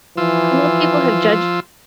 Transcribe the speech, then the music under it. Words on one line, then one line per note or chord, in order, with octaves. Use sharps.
I know people have judged
E3 F3 F4 E6